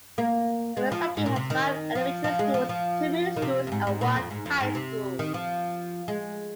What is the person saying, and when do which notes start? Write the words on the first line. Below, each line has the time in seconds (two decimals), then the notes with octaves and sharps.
Omaezaki has five elementary schools, two middle schools and one high school.
0.18 A#3
0.77 G#3
0.92 F3
1.17 G#2
1.26 A#2
1.36 C3
1.50 D#3
1.95 F3
2.24 F3
2.39 G#3
2.54 F3
2.69 F3
3.36 D#3
3.42 C3
3.67 F2
3.72 G#2
3.87 G#2
4.01 A#2
4.16 F2
4.31 G#2
4.46 F2
4.61 G#2
4.75 C3
5.19 D#3
5.34 F3
6.08 G#3